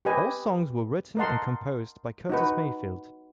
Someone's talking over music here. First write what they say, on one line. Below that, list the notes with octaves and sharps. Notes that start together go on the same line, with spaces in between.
All songs were written and composed by Curtis Mayfield.
G4 B4 D#5 G#5
A#4 D#5 F#5 A5 C6
D#4 F#4 B4